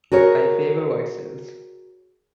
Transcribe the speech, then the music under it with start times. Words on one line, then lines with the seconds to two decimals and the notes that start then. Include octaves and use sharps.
I favor white sails.
0.12 F#4 G#4 A#4 C#5